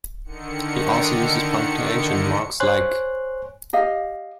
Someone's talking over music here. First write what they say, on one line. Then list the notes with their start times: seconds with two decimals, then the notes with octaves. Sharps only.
He also uses punctuation marks like !
0.24 D3 D#3 C#7
2.60 C5 C#5 G#5 C6 F#6
3.73 G4 D#5 F5